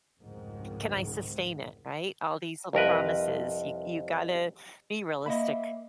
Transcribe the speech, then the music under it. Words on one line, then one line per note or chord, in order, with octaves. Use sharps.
can I sustain it, right? All these little promises, you you gotta be realistic
F1 C#2 G#2 D#3
C2 F2 A#4 B4
A#3 D#5 E5 B5